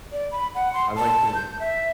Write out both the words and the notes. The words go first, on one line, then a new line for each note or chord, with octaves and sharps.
I like to
D5
B5
F#5
C6
A5
G6
E5